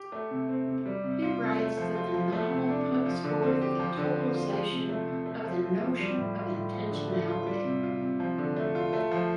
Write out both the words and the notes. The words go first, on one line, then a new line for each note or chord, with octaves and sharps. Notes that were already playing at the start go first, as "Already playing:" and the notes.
He writes that the novel puts forth the "totalization of the notion of intentionality".
Already playing: G4
A3
C3
C4
C3
G3
C3
F4
C3
A3
F3
F4
F3
A3
C3
D4
C3
F3
D3
C4
G4
F3
D3
C4
F4
F3
C3
A3
C3
A3
F3
F4
F3
G3
A2
F4
A2
F3
D3
A3
F4
G3
C3
F4
C3
F3
D3
A3
F4
A3
F3